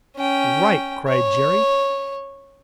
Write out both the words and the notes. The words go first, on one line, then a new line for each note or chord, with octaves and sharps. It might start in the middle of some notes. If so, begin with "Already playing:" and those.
"Right!" cried Jerry.
C#4 G5
C#5